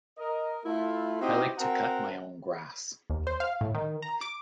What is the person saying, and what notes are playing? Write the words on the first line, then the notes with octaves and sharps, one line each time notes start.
I like to cut my own grass.
A#4 D#5
A3 E4 F4
C4 D#4 E4 F#4 G4 D#5
C4 F#4 A#4 F#5 A5 A#5
D#2
C5
F5
A2
D#3
A#5
D6